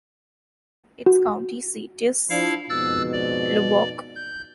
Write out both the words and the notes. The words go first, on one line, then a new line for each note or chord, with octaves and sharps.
Its county seat is Lubbock.
F#4
F3 D4 E4 F5
F2 G#2 B2 E6 F#6 A6
D5
G6